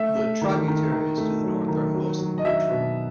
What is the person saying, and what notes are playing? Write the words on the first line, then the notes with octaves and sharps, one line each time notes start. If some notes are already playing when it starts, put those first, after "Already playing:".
The tributaries to the north are mostly natural.
Already playing: A3 E5
A3
D#3
D#3
D#3
A3
F#3
D#3
F#3
F#3
D#5
F#3 E5
B2